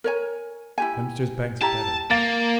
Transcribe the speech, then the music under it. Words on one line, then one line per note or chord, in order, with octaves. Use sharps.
"Dempster's Bank's better."
A#4 C#5 G#5
E4 G4 G#5
E4 G4 A5 A#5
A#3 F5 A6